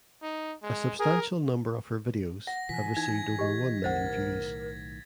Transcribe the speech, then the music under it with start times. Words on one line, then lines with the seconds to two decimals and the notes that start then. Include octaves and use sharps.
A substantial number of her videos have received over one million views.
0.22 D#4
0.63 G#3
1.00 G#4 A#4
2.47 F#5 A#6
2.69 B2 E3 F3 G#5 B6
2.97 E3 D#4 G#6
3.39 G4 D#5
3.84 B1 A2 D#3 A#4 C5 F#5 A6